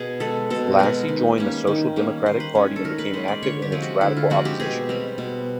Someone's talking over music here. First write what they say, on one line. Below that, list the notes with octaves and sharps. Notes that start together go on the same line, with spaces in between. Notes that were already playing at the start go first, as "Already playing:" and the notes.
Lassy joined the Social Democratic Party and became active in its radical opposition.
Already playing: B2 G#4
G#3 B3 A4
B2 A4
G#3 B3 A#4
D#3
G3 A#3 C#4
D#3
G3 A#3 C#4
D#3 C5
B4
G#3 C#4
A4
D#3 A#4
B4
G#3 C#4 C5
D5
D3 C#5
G4
F3 G#3 C4
F#4
D3 E4
F4
F3 G#3 C4 F#4
G4
B2 G#4
G3 C4
B2